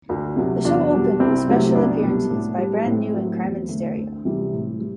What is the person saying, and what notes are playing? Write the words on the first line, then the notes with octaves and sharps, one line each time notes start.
The show opened with special appearances by Brand New and Crime In Stereo.
D2 D4 F#4
C3 F#3
E2 D4 F#4
B2 G3
C2 C4 E4
C3 F#3 A3
C2 B3 D4
B2 G3
A2
G3
A2 C4
F#3 A3
E2
D3 A3
D2
C3 E3 G3
A2
G3